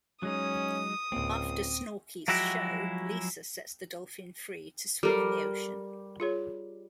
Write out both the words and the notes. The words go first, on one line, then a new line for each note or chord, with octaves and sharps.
After Snorky's show, Lisa sets the dolphin free to swim in the ocean.
F#3 G#3 C#4 D#4 D#6
D1 C#2 A#3 C4
F3 F#3 G#3 E4 F#4 G4
G3 A4 A#4
F4 G#4 C#5